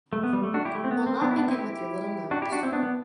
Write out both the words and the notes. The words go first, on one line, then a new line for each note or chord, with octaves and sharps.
We’ll not begin with your little notes.
A3
B3
G3
A3
D4 F#4
E4 G4
A3
C4
B3
C4
B3 D4
E4
B3 D4
C4 E4
E4 G4
D4 F#4
E4 G4
D4 F#4
C4 E4
B3 D4
B3